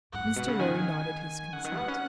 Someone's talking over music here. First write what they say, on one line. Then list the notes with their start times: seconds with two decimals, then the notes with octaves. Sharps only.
Mr. Lorry nodded his consent.
0.13 G#2 F#5
0.24 G#2
0.36 B2
0.48 C#3
0.59 D#3 G#5
1.53 C#3 F#5
1.65 D#3
1.77 B3
1.88 C#4